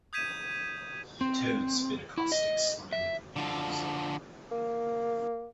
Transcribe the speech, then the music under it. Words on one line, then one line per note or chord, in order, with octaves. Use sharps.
The toad spit a caustic slime at the bees.
D#6 G6 G#6 B6 D#7 E7
C4
E4
D#5
E5
D3 F3
A#3